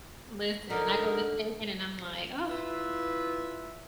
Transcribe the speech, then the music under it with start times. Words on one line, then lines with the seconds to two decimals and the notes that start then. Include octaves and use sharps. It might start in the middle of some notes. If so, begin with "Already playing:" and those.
Listen, I go to shaping and I'm like, "Oh,"
0.70 D3 D#4 A#4
2.48 E4 F4 B4 E5